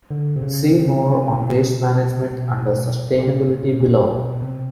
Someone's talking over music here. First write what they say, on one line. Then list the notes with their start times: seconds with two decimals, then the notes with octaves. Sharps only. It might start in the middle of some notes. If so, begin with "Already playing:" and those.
See more on Waste Management under "Sustainability" below.
0.10 D3
0.36 C3
0.41 C#3
0.72 C3
1.34 B2
3.18 A#2
3.49 A2
3.80 A#2
4.11 B2
4.42 C3